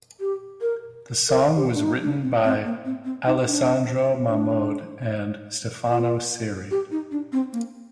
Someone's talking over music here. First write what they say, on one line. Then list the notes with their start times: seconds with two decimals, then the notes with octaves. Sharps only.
The song was written by Alessandro Mahmoud and Stefano Ceri.
0.20 G4
0.62 A#4
1.29 A#4
1.56 G4
1.74 D4
1.84 D#4
2.03 D4
2.24 C4
2.44 C4
2.65 A#3
2.85 C4
3.05 C4
3.26 D#4
3.46 D4
4.27 D4
5.89 F4
6.71 G4
6.91 D#4
7.11 D4
7.32 C4
7.53 A#3